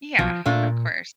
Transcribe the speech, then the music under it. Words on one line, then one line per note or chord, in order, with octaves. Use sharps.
Yeah, of course.
B1 B2 F3
A#2 A3 D4 F4